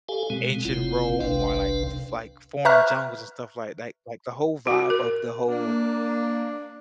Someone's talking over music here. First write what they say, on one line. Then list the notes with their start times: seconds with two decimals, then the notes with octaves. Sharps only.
ancient Rome or, like, f like, foreign jungles and stuff like that, like the whole vibe of the whole
0.09 G4 A4 F5 G#5
0.30 B2 G#3 C4
0.65 F#1 C3 C4 E4 F4
1.20 G1 C2 C3 D4 B4 F5
2.65 B4 E5 A#5 C#6 F6 F#6
4.67 F#4
4.90 A#4
5.48 A#3 D4